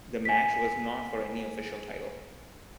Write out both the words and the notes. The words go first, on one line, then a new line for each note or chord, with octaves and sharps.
The match was not for any official title.
G#5 B6